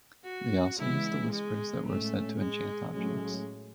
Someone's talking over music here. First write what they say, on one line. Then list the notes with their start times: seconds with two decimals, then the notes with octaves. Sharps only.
They also used the whispers that were said to enchant objects.
0.24 F#4
0.78 C#3 E3 G#3 B3 E4
1.31 G#3
1.85 A2 G#3 A3 C#4
2.39 G#3
2.93 A2 F#3 G#3 A3 C#4